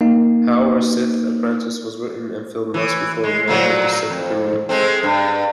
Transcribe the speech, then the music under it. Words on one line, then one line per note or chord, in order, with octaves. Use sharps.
However, "Sith Apprentice" was written and filmed months before "Revenge of the Sith" premiered.
A#3 D#4
E3
G#3
A#2 F3 F#3
F2
G#3 A3 C4
G2